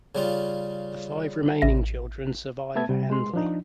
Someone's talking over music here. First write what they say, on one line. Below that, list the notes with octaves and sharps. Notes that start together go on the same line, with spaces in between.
The five remaining children survive Handley.
C#3 G3 F4
A1 E5 A#6
A3 B3 E5 A5 G#6
C3 G3
G#3 C6
F3 D4 D#4